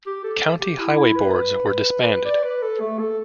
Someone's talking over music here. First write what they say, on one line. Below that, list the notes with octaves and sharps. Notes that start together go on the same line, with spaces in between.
County Highway Boards were disbanded.
G4
A4
G4
E4
E4
B4
B4
D5
B4
A4
A3
A4